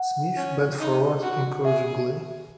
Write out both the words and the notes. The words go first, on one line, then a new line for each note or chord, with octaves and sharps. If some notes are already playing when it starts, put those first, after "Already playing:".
Smith bent forward encouragingly.
Already playing: F#5
C#4
D#4
F#4
G#4 E5